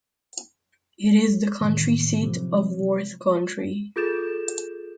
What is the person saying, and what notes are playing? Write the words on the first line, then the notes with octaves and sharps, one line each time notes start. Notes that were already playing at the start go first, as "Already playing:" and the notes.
It is the county seat of Worth County.
A2 C3 D#3 E3
C3 F3 F#3
F4 G#4 A4 G6 A6 E7